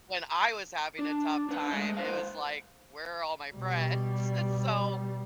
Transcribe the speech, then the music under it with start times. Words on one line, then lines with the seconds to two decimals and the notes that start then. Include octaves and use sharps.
when I was having a tough time, it was like, "Where are all my friends?" So,
0.99 D4
1.49 D4 B4 F#5
1.71 G#3 A3 D#5
1.97 B4 C5 F5
3.55 B2 G3